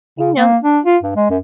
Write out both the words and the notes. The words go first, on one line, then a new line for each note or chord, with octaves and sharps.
You know
C#3
A#3
D4
F4
G2
G#3
F#2